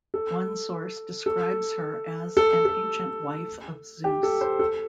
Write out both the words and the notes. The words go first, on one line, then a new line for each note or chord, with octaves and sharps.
One source describes her as an ancient wife of Zeus.
A4
A4
A4
A4
G4
A4
C5
A4